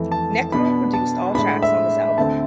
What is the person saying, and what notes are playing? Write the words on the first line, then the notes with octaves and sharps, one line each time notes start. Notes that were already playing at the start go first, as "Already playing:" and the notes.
Necro produced all tracks on this album.
Already playing: F2 E3 A3
A5
B2 B3 D4 B5
A5
A2 G#3 D4 B5
E5
D2 D3 A3 C4 A5